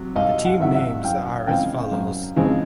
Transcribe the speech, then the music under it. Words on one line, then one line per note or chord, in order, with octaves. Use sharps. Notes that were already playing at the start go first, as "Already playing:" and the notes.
The team names are as follows.
Already playing: C3 F#3
C2 D#5 F5
F#5
F5
C3 D#3 F#3 E5 F#5
E5 F#5
F#2 F5 G5
C#3 F3 G#3 C4 F5 G5
F#2
C#3 F3 G#3 C4